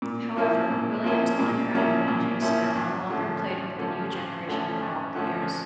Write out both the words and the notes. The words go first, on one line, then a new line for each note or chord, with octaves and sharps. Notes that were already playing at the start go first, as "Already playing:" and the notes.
However, Williams' autocratic managing style no longer played with the new generation of ballplayers.
A#2
F3 A#3 C#4 E4
A#2
F3 A#3 C#4 E4
A#2
F3 A#3 C#4 E4
A#2
F3 A#3 C#4 E4
G2
D3 F3 A3 C#4
G2
D3 F3 A3 C#4
G2
D3 F3 A3 C#4
G2
D3 F3 A3 C#4